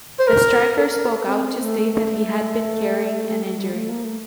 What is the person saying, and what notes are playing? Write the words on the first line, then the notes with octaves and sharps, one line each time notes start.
The striker spoke out to state that he had been carrying an injury.
C5
A#4
A4
A#4
A4
C4
C4
A3
A3
A3
A3
A3
G3
A3
A#3
A3